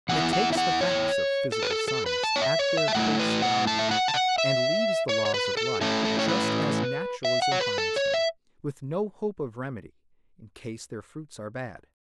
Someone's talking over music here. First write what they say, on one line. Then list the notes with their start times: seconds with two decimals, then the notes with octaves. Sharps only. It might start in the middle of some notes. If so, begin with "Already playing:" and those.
It takes the facts of physical science at their face-value, and leaves the laws of life just as naturalism finds them, with no hope of remedy, in case their fruits are bad.
0.09 E2 E3 B3 E4 F#5
0.33 F#5
0.53 E5
0.57 F#5
0.81 C#5
1.52 A4
1.63 B4
1.70 A4
1.88 A4
2.06 B4
2.23 A5
2.36 C#5
2.42 E5
2.59 C#5
2.77 E5
2.88 A5
2.95 A2 A3 E4 F#5
3.19 B4
3.42 F#5
3.67 A5
3.79 E5
3.91 F#5
4.08 A5
4.14 F#5
4.38 E5
5.09 C#5
5.25 C#5
5.34 B4
5.57 A4
5.81 A2 A3 C#4 E4 A4
6.05 A4
6.19 C#5
6.28 B4
7.25 E5
7.42 F#5
7.52 C#5
7.60 B4
7.78 A4
7.96 C#5
8.14 E5